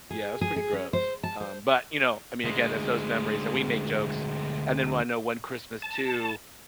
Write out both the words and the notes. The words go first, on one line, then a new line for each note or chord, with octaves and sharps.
Yeah, it was pretty gross, um, but, you know, I mean, again, it's those memories, and we make jokes, and then one I know one Christmas, too,
G#4
G#4
G#4
C#4
C5
A5
C5
D2 G#3
A5